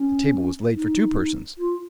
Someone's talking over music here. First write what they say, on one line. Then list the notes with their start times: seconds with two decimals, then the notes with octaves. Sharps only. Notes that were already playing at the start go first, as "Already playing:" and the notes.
The table was laid for two persons.
Already playing: C#4
0.74 D#4
1.58 F4